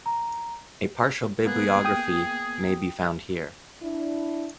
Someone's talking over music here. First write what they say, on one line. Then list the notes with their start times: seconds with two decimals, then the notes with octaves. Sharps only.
A partial bibliography may be found here.
0.06 A#5
1.46 A#3 B3 G#4 F#6
1.85 G5 D#6
3.82 D4 E4